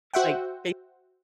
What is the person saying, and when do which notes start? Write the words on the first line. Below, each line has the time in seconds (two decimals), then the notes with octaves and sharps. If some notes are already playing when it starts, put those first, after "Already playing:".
like, they
0.14 F#4 C5 E5 F#5 G5